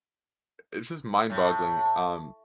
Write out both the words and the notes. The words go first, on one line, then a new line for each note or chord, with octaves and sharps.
it's just mind-boggling, um,
A2